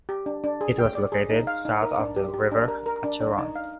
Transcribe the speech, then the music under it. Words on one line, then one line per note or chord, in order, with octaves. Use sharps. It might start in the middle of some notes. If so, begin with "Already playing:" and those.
It was located south of the river Acheron.
G4
D4
D4
G#4
G5
D5
G#4
D#4
F5
D#4
A#4
D4
G4
G4
D4
A#4
A#4
D4
D4
D#4
F5